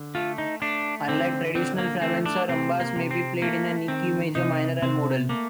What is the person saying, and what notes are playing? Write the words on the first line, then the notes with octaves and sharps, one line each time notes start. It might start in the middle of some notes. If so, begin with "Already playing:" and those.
Unlike traditional flamenco, rumbas may be played in any key, major, minor and modal.
Already playing: D3
A3 F4
D#4
A3 D4
D3 C4
D3 C4
A#3
A3 C4
D4
C3 C4
A#3
C3
C4
A3 A#3
D#3 C4
C3 D#4
C3 C4
A3 A#3